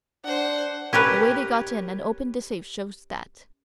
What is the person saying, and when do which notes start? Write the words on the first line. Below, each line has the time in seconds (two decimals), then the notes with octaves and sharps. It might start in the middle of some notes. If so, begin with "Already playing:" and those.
The way they got in and opened the safe shows that.
0.25 D4 C5 F#5
0.93 C#4 G4 A#4 B4